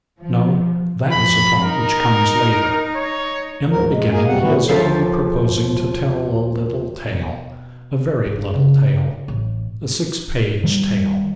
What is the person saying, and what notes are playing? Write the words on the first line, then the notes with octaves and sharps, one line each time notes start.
No--that is a thought which comes later; in the beginning he is only proposing to tell a little tale, a very little tale, a six-page tale.
F3
F2 B5
D#4 A#4
C#5
D2 G#2 A#4
G#3
B2 A#3 G#4 A#4 G#5
D#2 G#2 C3 G3 F#5
A2 E3 B3 F#4
D#2 F3 A4 C5 E5 F5
B2
G#3
C#3
A1
D#3 G3